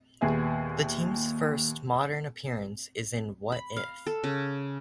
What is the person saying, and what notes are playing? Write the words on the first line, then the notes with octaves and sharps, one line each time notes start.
The team's first modern appearance is in What If?
D#2 A#2 B3 G#4 E5
B5
F5
A4
C#3